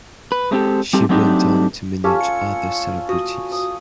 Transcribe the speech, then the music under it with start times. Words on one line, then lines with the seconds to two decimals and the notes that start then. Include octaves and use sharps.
She went on to manage other celebrities.
0.32 B4
0.51 G#3 A3 C4 D#4 G4 A4
0.93 G3 A3 C4 G4
1.09 F#3 A3 C4 D4 D#4 G4
2.04 C#4 F4 G4 A4
2.21 C#7
3.09 F#4 D#6
3.52 D#6